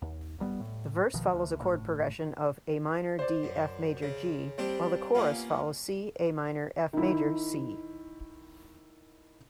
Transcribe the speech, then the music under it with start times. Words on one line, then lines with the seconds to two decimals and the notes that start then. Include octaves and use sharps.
The verse follows a chord progression of Am-D-Fmaj-G while the chorus follows C-Am-Fmaj-C.
0.02 D#2
0.39 D1 G#1 G3 B3
0.60 A2
1.14 A#1 B2 D#3 F3
1.33 D2
1.61 G1 A2
3.19 C5 D5
3.43 F#2
4.02 C#3
4.58 G3 C4 D4 G4 C5
5.15 A#3 B3 C#4 F4
6.93 D#3 E4